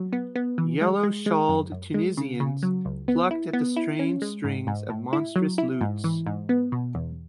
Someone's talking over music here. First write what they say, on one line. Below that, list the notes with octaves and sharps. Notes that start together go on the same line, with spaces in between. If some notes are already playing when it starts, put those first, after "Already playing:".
Yellow-shawled Tunisians plucked at the strained strings of monstrous lutes.
Already playing: F#3
B3
B3
E3
G#3
G#3
G#3
F#2
F#2
G#3
C#3
C#3
F#3
C#2
B3
E4
B3
E4
C#4
G#3
G#2
G#2
A2
E4
F#3
E4
G#2
E3
G#2
B3
B2
E2